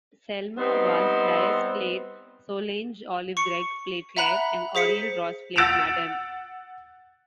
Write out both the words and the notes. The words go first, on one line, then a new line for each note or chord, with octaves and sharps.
Selma Vaz Dias played Solange, Olive Gregg played Claire, and Oriel Ross played Madame.
G3 B3 C4 D#4 C5
C#6 C#7
E5 F#5 A#5 B5 F#6
G#4 C5 B6 C#7
F#5 E6 A6 D7 E7 F7